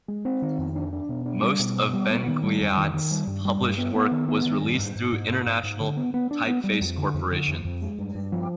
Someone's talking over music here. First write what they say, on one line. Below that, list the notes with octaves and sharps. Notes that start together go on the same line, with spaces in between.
Most of Benguiat's published work was released through International Typeface Corporation.
G#3
C4
D#3
F2
D4
D4
B2
D4
G3
B2
B3
G3
B3
D#3
G3
F2
D#3
D#3
G3
G2
G3
G2
B3
B3
D#3
B3
D#3
G2
G#2
G#2
G#2
G#2
G#2
G#2
D3
B3
B3
D4
B3
G3
F2
D3
F2
D3
F2
F2
G#3
G2
G2
F3